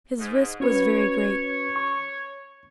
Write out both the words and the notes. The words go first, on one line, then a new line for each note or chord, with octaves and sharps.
His risk was very great.
G#2
C#4 F#4 B4 C#5
C#6